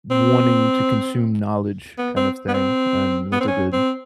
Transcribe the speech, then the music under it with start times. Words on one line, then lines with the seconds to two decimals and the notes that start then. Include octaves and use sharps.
wanting to consume knowledge kind of thing, and that's a good
0.11 C4
1.98 B3
2.16 C4
2.48 B3
2.54 C4
3.32 B3
3.40 C4
3.48 C#4
3.73 C4